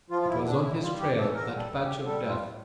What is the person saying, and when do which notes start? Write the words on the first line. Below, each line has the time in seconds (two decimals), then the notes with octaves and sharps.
It was on his trail, that patch of death.
0.10 F3 F4
0.22 F4
0.28 E2 E4
0.45 D3 D4
0.63 F2 E4
0.81 G3 F4
0.99 F2 G4
1.17 E3 A4
1.34 E2 A#4
1.52 G3
1.57 A4
1.70 E2
1.82 G4
1.87 D3
2.05 G3 A4
2.22 A2
2.28 F4
2.40 A2